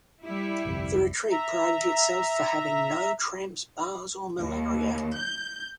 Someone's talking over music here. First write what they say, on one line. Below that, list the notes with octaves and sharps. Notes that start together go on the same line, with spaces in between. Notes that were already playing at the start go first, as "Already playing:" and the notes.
The retreat prided itself for having no tramps, bars, or malaria.
G3 E4
G1 C2 F2
E5 A#5
D#2
G6